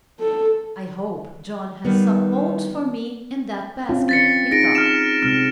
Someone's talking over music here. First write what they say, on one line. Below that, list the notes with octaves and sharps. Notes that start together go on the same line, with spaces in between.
"I hope Johnnie has some oats for me in that basket," he thought.
A4
D#3 G3 B3
C4 C#4 F4
A6 B6 C#7
D#4 G#4 A#6 D7
F6 E7
C3 G#3 C4 F6